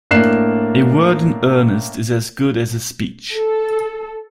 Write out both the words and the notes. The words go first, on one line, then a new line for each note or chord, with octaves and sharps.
A word in earnest is as good as a speech.
A2 A#3 D4 F#6 C7 E7
A4